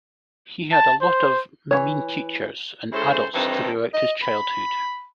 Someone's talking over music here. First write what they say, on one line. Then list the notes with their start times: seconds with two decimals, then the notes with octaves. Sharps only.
He had a lot of mean teachers and adults throughout his childhood.
0.72 A5
1.02 C5
1.71 E3 F#3 C#5
2.93 G#3 C#4 E4 A4 C5
3.33 G2 D#3 E3 C4 D#4 A4
3.93 D#5
4.23 B5